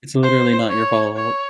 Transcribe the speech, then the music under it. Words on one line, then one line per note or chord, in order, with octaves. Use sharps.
It's literally not your fault.
C5
C#5
C#5